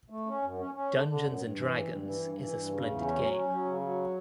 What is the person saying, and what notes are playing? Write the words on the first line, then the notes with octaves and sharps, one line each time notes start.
Dungeons and Dragons is a splendid game.
A3
C#4
F#2
C#4
C#4
D3
D3
F#2
G2
E3
G2
G2
E3
G2
E3
G2
C#3
E2
C#4
F#3
C#4
F#3
C#3
F#3